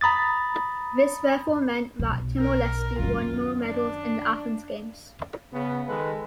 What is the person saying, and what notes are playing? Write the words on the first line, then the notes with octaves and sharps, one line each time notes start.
This therefore meant that Timor-Leste won no medals in the Athens Games.
A#5 B5 D#6 A6
B1
A#4
F#2 D#3 F4
D4
C#3 B3
D#3 G#3 A4 B4